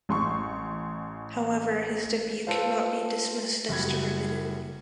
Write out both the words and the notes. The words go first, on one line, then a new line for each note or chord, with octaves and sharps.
However, his debut cannot be dismissed as derivative.
A1 C6 C#6
F4 A4 B4 C5 F5
F#1 G3 F#4 B5 G#6